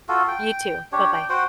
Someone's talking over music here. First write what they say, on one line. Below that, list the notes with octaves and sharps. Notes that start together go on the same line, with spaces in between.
You too. Bye-bye.
F4 F#4 A4
G5
D4 G4 C#5
G5
F#4 C5 F#5 G5